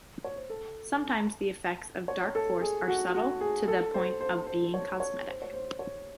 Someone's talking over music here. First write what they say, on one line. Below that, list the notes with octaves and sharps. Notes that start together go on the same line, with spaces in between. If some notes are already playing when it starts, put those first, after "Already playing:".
Sometimes the effects of Darkforce are subtle to the point of being cosmetic.
C#5
C5
A4
C#5
A4
G#4
F#4
F#4
G#4
A4
C5
C5
C5
C#5
C#5
C5
C#5
C5
C#5